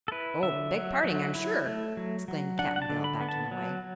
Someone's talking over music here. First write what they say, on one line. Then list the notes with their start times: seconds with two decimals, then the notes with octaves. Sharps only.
"Oh; beg parding, I'm sure!" exclaimed Cap'n Bill backing away.
0.08 A4
0.12 E4 B4
0.43 D3 E5
0.74 F#3
1.04 F#3
1.35 E4
1.66 A3
1.97 F#3
2.28 F#3
2.59 D4 F#5
2.76 F#5
2.82 A5
2.90 D3
3.04 B5
3.20 B3
3.29 A5
3.51 F#3